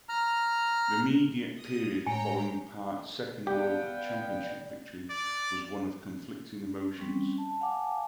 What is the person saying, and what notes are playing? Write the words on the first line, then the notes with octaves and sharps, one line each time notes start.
The immediate period following Part's second world championship victory was one of conflicting emotions.
A#5 F6
D#6
A2 G#3 C#5 G5 G#5 A#5
B3 G4 D5 F5 G5
D5
G3 C4 C#4
A5
F5 F#5 G#5 A5 D6